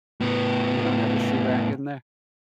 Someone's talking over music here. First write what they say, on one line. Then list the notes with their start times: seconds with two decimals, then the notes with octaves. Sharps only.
You don't have a shoe rack in there?
0.21 A2 B3